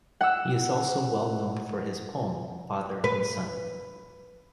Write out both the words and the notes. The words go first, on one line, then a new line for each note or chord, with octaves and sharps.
He is also well known for his poem, Father and Son.
F#5 E6
B4